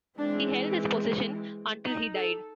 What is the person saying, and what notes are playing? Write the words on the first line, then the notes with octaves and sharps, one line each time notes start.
He held this position until he died.
E3 G#3 C4 D4
D#4
A4